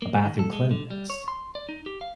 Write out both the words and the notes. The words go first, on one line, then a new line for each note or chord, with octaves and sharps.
a bathroom cleanliness?
A#3
D#3
A4
G#3
D3
G3
C#5
C6
D5
D#4
G4
F5